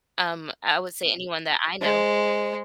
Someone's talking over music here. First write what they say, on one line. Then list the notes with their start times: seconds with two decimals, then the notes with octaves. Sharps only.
Um, I would say anyone that I know.
1.82 G#3 C5